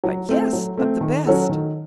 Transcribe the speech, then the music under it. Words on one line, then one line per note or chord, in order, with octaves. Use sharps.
'But yes, of the best!'
F#3
A3 C4
F#3
A3 C4
D#3
F#3 C#4 F#4 A4
D#3